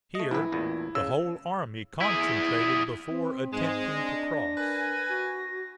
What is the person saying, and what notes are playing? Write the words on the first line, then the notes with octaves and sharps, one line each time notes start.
Here the whole army concentrated before attempting to cross.
A3 D#5
A#1 E4 B4
A1 E2 A#2
C#3 E6
E4 G#4
C4
G#2 G#3
D4 A#6
A#4 B4 G#5
F#4